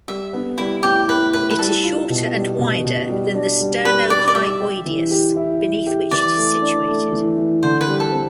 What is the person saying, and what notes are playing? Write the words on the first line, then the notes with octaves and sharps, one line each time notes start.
It is shorter and wider than the sternohyoideus, beneath which it is situated.
G3 E5
B3
G3 E4
A2 G4
A2 B4
A2 B4
B4
G3 A4
F4
B2
G3
B2
B2
G3
D4
G3
G3 B4
G4 D5
D5
G3 E5
G4
E3
G4
E4
E4
G4
E3 D5
A3
D4
A3
E3
E3
D3 C5
B4
G3
A4
C4